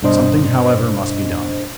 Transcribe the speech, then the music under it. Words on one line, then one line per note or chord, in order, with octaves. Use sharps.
Something, however, must be done.
G2 B2 D4 C5 D#5